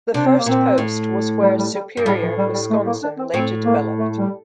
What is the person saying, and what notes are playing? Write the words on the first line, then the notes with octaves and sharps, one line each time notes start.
The first post was where Superior, Wisconsin, later developed.
C3 D4
C4
A#3
A#2 C4
A2
G3
G3
G3
G2
A2 G3
F3
G3
G3
A3
A#3
D4
C4
A2 C4
A#3
A3
G3